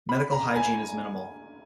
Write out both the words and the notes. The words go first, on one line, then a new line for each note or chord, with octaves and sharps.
Medical hygiene is minimal.
B5
A#5
G#5